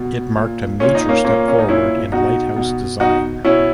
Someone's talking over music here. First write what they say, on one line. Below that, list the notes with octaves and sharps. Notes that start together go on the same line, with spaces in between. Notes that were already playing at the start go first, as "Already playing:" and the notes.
It marked a major step forward in lighthouse design.
Already playing: B2
A#2
A#2 C#4
D#4
A#3 C#4
A#2 A#3 C#4
C#4
D#4
A#2 C#4 E4
B2 D#4 F#4
B2
B2 D#4 F#4
B2 C#4 E4